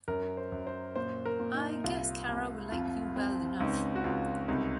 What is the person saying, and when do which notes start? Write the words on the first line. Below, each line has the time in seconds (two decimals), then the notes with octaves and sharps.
I guess Cara‘ll like you well enough.
0.08 F#2 A#4
0.37 C5
0.52 F#2
0.67 C5
0.96 A#2 C5
1.25 A#4
1.40 A#2
1.55 D#4
1.84 C2 F4
2.28 C2
2.72 F2 F4
3.16 C4
3.60 C#2 D#4
3.95 F#4
4.04 C#2 F4
4.48 C2 D#4